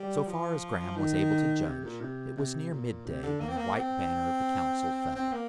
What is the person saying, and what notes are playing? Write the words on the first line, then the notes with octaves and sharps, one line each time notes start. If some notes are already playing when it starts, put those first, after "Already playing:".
So far as Graham was able to judge, it was near midday when the white banner of the Council fell.
Already playing: G3
F3
D#3
C3
A#2
C3
C3
A#2
C3
D3
A#3
C4
A#3
C4
C4
A#3